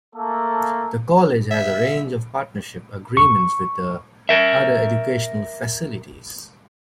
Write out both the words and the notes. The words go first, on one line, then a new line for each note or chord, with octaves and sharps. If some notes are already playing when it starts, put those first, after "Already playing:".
The college has a range of partnership agreements with other educational facilities.
A3 A#3 A4
E5
C#6
A#4 E5